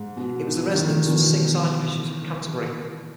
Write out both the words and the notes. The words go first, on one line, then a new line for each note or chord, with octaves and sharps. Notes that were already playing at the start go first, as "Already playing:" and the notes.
It was the residence for six Archbishops of Canterbury.
Already playing: G#2
B2
D#3
E3
D#3
B2